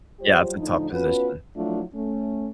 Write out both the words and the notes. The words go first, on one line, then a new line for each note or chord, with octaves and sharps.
Yeah, it's a tough position.
F#3 G3 F4 G4 C5
A2 D3 F3 D#4
B3 C#4 F4 F#4 B4
F3 F#3 A3 D4 E4 F4
A3 C#4